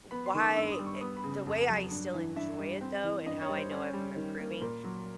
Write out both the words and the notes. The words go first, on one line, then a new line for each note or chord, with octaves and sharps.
why eh the way I still enjoy it, though, and how I know if I'm improving
B3 B5
C6
D#3 C#6
D6
G2 E6
D#6
G3
C#6
B3 D#6
B5
C#3
F2
F#3
G2
E3
G2 E5
G3
C4
E3
G2 D#5
C#5
G3
C5
C#4
G3
D#3
A#3
A#2 A#4
F#3